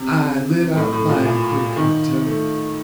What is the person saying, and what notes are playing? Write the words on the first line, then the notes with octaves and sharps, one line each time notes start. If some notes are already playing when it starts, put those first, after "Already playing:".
I lit out mighty quick, I tell you.
Already playing: C3
A2
A2
A#2
A#2
D#3
A3